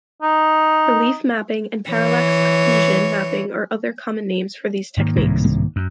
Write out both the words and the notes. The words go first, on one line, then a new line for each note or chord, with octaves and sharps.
Relief mapping and parallax occlusion mapping are other common names for these techniques.
D#4
E3 C#5
G#2 D#3 A#3
C2 A2
F#2